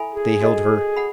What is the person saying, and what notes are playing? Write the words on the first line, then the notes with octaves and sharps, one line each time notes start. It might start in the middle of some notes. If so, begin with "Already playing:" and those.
They held her.
Already playing: E4 A4 E5 G#5 B5
G#4
F#4 A4 D#5
F#5 B5